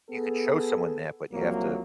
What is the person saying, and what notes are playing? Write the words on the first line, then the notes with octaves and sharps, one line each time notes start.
you could show someone that, but you have to
B3 G#4 A4
C2 F3 F#3 A#3